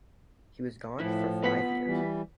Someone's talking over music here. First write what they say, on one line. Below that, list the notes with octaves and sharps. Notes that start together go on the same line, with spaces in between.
He was gone for five years.
A2 F3 E4 B4
B3 F4 B4 F#5 B6
E3 G3